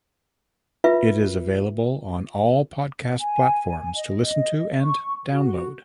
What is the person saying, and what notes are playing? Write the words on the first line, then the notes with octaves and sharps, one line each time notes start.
It is available on all podcast platforms to listen to and download.
F4 B4 E5
G#5
D#5
C#6
F#4